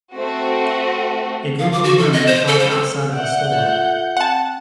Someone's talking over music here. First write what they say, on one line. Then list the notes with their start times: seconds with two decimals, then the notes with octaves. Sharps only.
A group of women talk outside of a store.
0.13 A3 C4 F#4
1.59 F5
1.72 D6
1.84 F#4
1.98 A4
2.13 D#5
2.27 C5
2.47 A4
2.59 C5
2.71 A4
3.13 D5 E5 F#5 G6
3.51 F4 A4 E5
4.17 C4 F#5 G5 A5